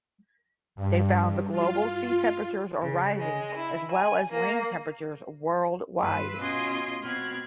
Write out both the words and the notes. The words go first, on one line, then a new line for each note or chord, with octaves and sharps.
They found the global sea temperatures are rising as well as land temperatures worldwide.
G2
F4
C#3
G#3
E4
G#5
A#3
G2 F4 B4 B5 E6
B2 C#4 F4 D#5 C6 G#6
B2 C4 B5 F6 F#6 G#6